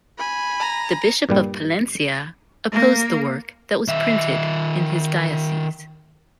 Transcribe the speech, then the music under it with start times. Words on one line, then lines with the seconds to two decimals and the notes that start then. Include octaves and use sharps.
The Bishop of Palencia opposed the work that was printed in his diocese.
0.17 G#5 B5
0.60 A#5
1.29 G2 A#2 G3
2.72 A#3
3.88 D#3 E5